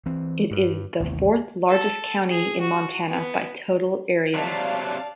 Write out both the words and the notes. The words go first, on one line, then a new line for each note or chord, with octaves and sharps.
It is the fourth-largest county in Montana by total area.
E3 C4
G2
A1 D#2 C3
A4
G#4
F#4
B3
C3 F#3 D5 F5 A5